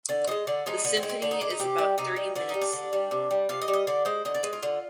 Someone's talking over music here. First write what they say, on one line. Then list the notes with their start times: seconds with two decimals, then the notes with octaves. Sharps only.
The symphony is about thirty minutes long.
0.09 D3 D5
0.27 F3 D#5
0.31 G#3
0.47 D3 D5
0.66 F3 G#3 D#4
0.85 D3 B3
0.97 C4
1.03 G#3
1.09 C4
1.22 D3 D4
1.31 D#4
1.41 G#3 D4
1.50 D#4
1.59 C3 G4
1.78 G3
1.98 C3 D#4
2.16 G3
2.35 D3 D4
2.49 G3 D#4
2.61 D4
2.73 D3
2.93 G3
3.11 C3
3.31 G3
3.49 C3 F4
3.62 D#5
3.68 G3
3.73 D#5
3.87 D3 D5
4.05 G#3 C5
4.25 D3 D#5
4.34 D5
4.43 G#3 B4
4.53 F4
4.63 D3